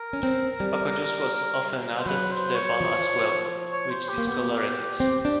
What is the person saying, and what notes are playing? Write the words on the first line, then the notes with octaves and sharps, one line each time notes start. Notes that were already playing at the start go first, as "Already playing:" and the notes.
Tobacco juice was often added to the ball as well, which discolored it.
Already playing: A#4
C#4
C4
G3
C5
F#3 B4
C5
C#5
F3
C#5
C5
G4
A#3
B3 G4
C4
D4